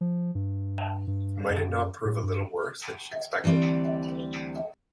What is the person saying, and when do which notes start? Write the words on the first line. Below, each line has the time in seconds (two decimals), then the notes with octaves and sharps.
Might it not prove a little worse than she expected?
0.01 F3
0.35 G2
1.07 G2
1.50 F#2
2.05 A2
2.24 G2
3.44 D2 E3 G3 C4 D5